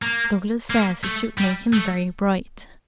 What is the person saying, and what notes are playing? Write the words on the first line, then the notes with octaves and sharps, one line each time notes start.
Douglas says it should make him very bright.
A#3
A#3
A3
G3
A3